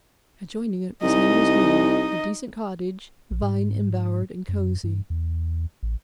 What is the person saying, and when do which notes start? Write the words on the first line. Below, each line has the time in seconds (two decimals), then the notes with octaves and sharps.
Adjoining it was Henry's home--a decent cottage, vine-embowered and cosy.
1.03 C2 D#4 D#5
3.31 A#1
3.42 G#2
4.49 F#2
4.84 G2
5.10 E2
5.83 A1